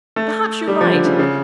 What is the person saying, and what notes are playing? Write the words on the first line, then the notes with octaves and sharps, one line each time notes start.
Perhaps you're right.
A3
G3
F3
D3
C#3
C#3